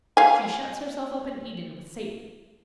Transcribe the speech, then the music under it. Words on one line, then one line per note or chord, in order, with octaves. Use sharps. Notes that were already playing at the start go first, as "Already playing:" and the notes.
She shuts herself up in Eden with Satan.
F5 G#5